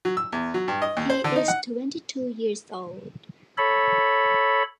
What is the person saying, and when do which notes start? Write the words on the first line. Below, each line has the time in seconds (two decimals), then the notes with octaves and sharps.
He is twenty-two years old.
0.05 F#3
0.17 E6
0.33 E2
0.54 F#3
0.68 G2
0.82 D#5
0.97 D#2
1.10 C5
1.24 D3
1.36 D#4
1.48 F#5
3.57 A4 C#5 B5